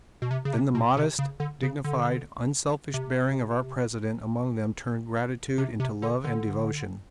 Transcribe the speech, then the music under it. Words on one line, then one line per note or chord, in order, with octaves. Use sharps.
Then the modest, dignified, unselfish bearing of our president among them turned gratitude into love and devotion.
B2
C3
C#3
C3
B2
C3
C#3
D3
C#3
D3
C3
C3
C3
D3
D3